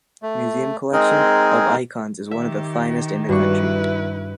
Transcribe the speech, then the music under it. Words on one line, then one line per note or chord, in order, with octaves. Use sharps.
Museum collection of icons is one of the finest in the country.
A3
G#3 C4 D#4 G#4 A#4
D#3 G4 E5
G2 G3 D4 E4 F#4 B4 C#6